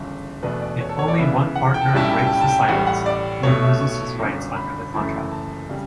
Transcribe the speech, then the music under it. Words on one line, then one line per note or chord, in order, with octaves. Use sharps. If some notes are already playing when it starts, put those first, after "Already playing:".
If only one partner breaks the silence, he loses his rights under the contract.
Already playing: G1 F#2 C#3 E3 A4
E2 B2 A3 D4 B4
D5
C#5
A4
C#5
D5
C#2 C#3 E3 B3 E4 E5
F#5
G5
A5
G5
B1 A2 G3 C#4 E4 A5
G5
A5
G5
A5
G5
A5
G5
A1 A2 G3 F#5
F#5
D5
B1 B2 A3 C#5
E5
C#6
G1 F#2 D3
B5
F#1 F#2 E3 A3 E4
A5
C#3 G3